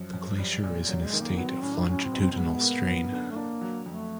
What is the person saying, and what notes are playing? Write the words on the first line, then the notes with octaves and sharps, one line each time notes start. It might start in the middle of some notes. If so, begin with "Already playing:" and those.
The glacier is in a state of longitudinal strain.
Already playing: F#2 F3
F#2
G3
A#2
F#2 F#3
G#3
D#3
A#3
F#3 B3
C4
A2 C#4
D4
F#3 C#4
C4
B2
C4
C4
G#2 B3
A#3
F#2
D3
A3
A#3 D4
F#3
F2 A3